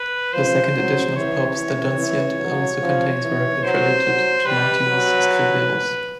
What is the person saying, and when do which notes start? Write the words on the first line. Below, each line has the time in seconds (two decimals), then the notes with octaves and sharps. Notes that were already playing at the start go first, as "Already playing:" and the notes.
The second edition of Pope's "The Dunciad" also contains work attributed to Martinus Scriblerus.
Already playing: B4
0.33 F3 C5
0.75 F#3
1.15 E3 C#5
1.57 E3
1.99 E3
2.39 F#3
2.81 F3
3.22 E3
3.63 F#3 C5
4.05 F#3
4.45 G3 B4
4.87 F#3